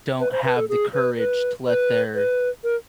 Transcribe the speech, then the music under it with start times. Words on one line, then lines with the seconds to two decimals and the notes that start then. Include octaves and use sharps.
don't have the courage to let their
0.20 B4
0.32 C5
0.45 B4
0.57 A4
0.69 G#4
0.93 B4
1.18 B4
1.67 B4
2.15 B4
2.64 A#4